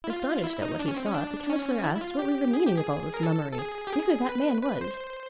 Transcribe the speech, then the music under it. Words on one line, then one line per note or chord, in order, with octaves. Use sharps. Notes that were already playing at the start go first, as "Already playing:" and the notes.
Astonished at what he saw, the Councillor asked what was the meaning of all this mummery, and who that man was.
E4
F4
E4
D#4
D4
C#4
C4
C#4
D4
C#4
E4
E4
F4
G4
G#4
G4
G#4
A#4
A4
A4
G#4
G4
G#4
B4
B4
C5